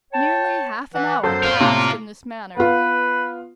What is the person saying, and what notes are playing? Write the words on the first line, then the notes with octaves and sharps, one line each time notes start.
Nearly half an hour passed in this manner.
C#5 G5 A5
E3 F#5
F#2 A4 C5
F4 A#4
A2 C3 A#3
B3 F4 B4